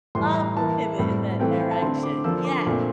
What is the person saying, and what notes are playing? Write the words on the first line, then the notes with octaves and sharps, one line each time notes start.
Love to pivot in that direction. Yes!
A2 E3 G3 C6
A#5
E3 A#3 A5
A2 G3 C4
E3 A3 C4 G5
F5
G5
A5
D3 A3 C4 C6
D6
D3 F3 A#3 E6
D6
A#2 A3 C4